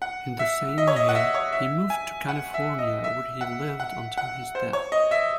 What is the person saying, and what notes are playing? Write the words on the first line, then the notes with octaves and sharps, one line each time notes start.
In the same year he moved to California, where he lived until his death.
F#5
E5
D#5
C#5
D#5
F#5
E5
C#5
E5
G#5
F#5
E5
D#5
E5
F#5
F#5
F#5
C5
C#5
D#5
E5